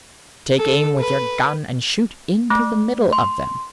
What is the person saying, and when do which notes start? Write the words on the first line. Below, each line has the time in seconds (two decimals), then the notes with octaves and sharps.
Take aim with your gun, and shoot into the middle of them.
0.58 A4
0.99 B4
2.50 A3
3.13 C6